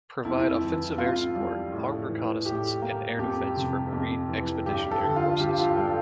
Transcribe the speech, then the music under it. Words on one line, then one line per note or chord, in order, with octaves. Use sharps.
Provide offensive air support, armed reconnaissance, and air defense for Marine expeditionary forces.
F2 E4
E4
E3
F2 F4
G3
A2
E3
A2 G4
A#3
F2 G4
C3
F2
E3
G2 G4
A4
D3
F4
G2 G4
F4
G3 A4